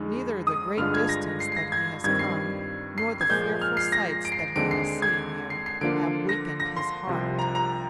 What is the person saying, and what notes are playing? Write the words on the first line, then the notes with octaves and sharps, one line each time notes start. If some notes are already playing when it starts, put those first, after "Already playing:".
Neither the great distance that he has come nor the fearful sights that he has seen here have weakened his heart.
Already playing: F2 D3 G#3 D#4
D#6
G2 D3 G#3 D4 F4 F6
G#6
A#6
C7
C7
A#6
G#6
G2 D#3 G3 C4 G#6
C7
C7
G#6
A#2 F3 G#3 G6
F6
C7
A#6
D7
C7
D7
D#2 D3 G#3 C4 D7
C7
G#6
C7
C7
D3 F3 A#3 D4 F4 D7
A#6
A#6
C6
C2 C3 F3
A#5
A#5